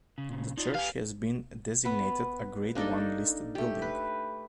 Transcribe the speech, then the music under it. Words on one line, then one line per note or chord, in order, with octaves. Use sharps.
The church has been designated a Grade One listed building.
C#3
A#2 C#3
D#4 F4 D5
G4 B4 F5 G#5
B3 B4
A#3 D4 D#4 A4
A3 G4
B4